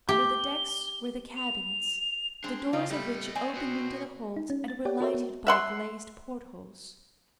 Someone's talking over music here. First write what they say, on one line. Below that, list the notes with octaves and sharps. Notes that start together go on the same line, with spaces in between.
Under the decks were the cabins, the doors of which opened into the hold and were lighted by glazed portholes.
G4 G7
F7
G#3 C4 D4
C#3 C4 F4
G3 A3 D#5 B5
C4 D5 G#5
B3 F#4
D#4
C#4
A6
G4 C#5 D5 F#5 G5
F#4 A4 A#4 C#5 D#5 E5
B3
E5 F#5 C6